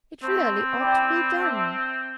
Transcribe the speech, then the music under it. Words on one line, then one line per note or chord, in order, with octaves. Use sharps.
It really ought to be done.
A3 C4 E4 C5
E4 G4 D5 G5
D4 C5 E5